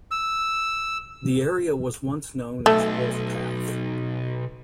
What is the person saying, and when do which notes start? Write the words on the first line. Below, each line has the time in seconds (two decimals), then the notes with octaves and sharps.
The area was once known as "Wolfpath".
0.11 E6
2.66 B1 A3